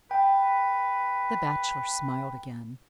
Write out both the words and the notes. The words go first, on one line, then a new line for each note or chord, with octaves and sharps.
The Bachelor smiled again.
B4 G5